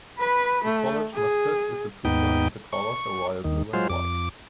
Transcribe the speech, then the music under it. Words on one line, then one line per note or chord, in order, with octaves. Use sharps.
The college mascot is the puma and the colors are royal blue and white.
B4 B5
A3
G#4
D#2 G#2 B3 D#4 G5
C#6
D#2 D#3
F#3 G#3 F4 C5
F2 D6